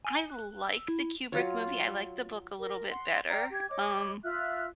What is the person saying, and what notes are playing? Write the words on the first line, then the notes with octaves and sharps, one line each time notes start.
I like the Kubrick movie, I like the book a little bit better, um
G#5
F#6
E6
E4
F#3 F4 C#5
A#4
F#5 C6
D5 G5 A#5 F6
G4 G#6
C#5 D#5 D6
F4 E5 F6 F#6